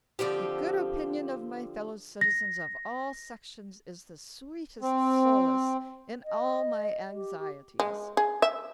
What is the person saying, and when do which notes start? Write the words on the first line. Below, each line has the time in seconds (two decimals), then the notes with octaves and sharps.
The good opinion of my fellow citizens of all sections is the sweetest solace in all my anxieties.
0.19 D3 F3 C4 G4
2.21 A#6
4.82 C4
6.24 D#5
7.11 G4
7.39 G4
7.80 G#3
8.17 G#4
8.42 E5